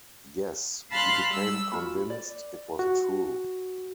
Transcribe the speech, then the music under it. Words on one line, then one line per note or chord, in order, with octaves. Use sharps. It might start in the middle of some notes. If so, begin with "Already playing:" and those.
Yes, he became convinced it was true.
F5 A5 B5 C6 F6 F#6
G3 E6
F4 F#4 B5
D5
F#4